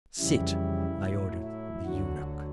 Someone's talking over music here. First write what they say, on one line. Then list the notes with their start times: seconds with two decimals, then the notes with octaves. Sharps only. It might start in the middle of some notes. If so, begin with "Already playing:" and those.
"Sit," I ordered the eunuch.
0.19 F2 C#3 E3 G3 E4
1.03 A2 F#3
1.43 E4
1.85 D2 D3 F#3 F#4